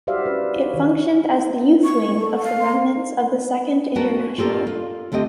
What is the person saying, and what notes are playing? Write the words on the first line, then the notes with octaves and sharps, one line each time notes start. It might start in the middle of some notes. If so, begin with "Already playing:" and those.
It functioned as the youth wing of the remnants of the Second International.
F#4 G4 C5 D5 E5 F5
C#4 B4
F4 C#5
D#3 E3
C#6
A4
F5
C6
B3 C#4 F#4 A#4 B4 A5
F4 G4 A4 A#4
F4
D2 A3 C4 G4 D#5